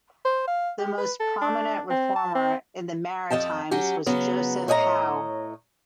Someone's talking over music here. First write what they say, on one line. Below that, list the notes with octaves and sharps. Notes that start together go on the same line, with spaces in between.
The most prominent Reformer in the Maritimes was Joseph Howe.
C5
F5
G4
B4
A4
D4
C4
A5
C4
F2 F3 D#5 G5 A5
F#3 C#4 G4
C#3 F#3 B3
A2 C#5 D#5 G5 A#5